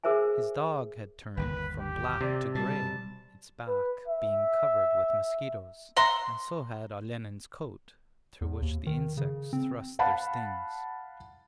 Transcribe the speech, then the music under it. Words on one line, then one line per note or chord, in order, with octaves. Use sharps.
His dog had turned from black to grey, its back being covered with mosquitoes, and so had Olenin's coat through which the insects thrust their stings.
G#4 A#4 C5 E5 G#5
G1 D#2 D#3 B4
G4
C3 D5
B2 G3 A5
B4
E5
E5 F#5 A#5 C6
E2
D#2
D#3
C#3
C4
F5 F#5 A5 B5